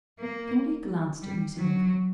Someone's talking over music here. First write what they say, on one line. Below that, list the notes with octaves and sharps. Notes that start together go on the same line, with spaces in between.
Kennedy glanced at me significantly.
A#3
G3
F#3